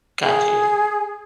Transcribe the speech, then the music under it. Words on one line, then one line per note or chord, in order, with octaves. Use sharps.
Got you.
G#4